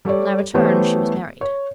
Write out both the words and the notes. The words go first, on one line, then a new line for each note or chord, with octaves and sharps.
When I returned she was married.
G3 A4 C#5 D5
E3 A3 B3 G4 C5 C#5
C#5